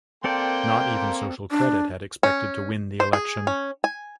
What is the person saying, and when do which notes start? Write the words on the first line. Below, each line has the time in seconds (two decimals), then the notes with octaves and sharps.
Not even Social Credit had expected to win the election.
0.24 A#3 C4 A4 D5 G5 C6
1.51 D4
2.23 C#4
3.00 C5
3.13 G#4
3.47 C#4
3.84 G#5